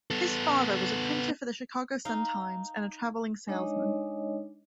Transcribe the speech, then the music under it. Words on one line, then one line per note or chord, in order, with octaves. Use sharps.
His father was a printer for the "Chicago Sun-Times" and a traveling salesman.
B3 A4
D#4 F5
G#3 D4 D#4 C#5 D#5